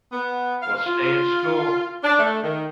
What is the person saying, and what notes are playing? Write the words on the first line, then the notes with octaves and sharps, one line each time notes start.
Well, stay in school.
B3
F5
F4
D4
A3
D#3